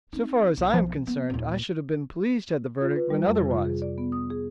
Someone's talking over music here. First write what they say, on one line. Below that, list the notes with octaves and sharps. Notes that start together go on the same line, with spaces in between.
So far as I am concerned I should have been pleased had the verdict been otherwise.
C4 D#4
B1
F3
B3
D#2 A#2
F4
B4
G3
F2
C3
F4
G#4
D5
B3
D#6
G#4